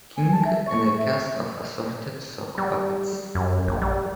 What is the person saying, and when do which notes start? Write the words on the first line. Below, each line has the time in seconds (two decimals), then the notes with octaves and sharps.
King and a cast of assorted sock puppets.
0.17 G#5
0.32 A5
0.45 E5
0.67 C#6
0.98 E5
2.58 G3
3.35 F#2
3.68 A#1
3.82 G3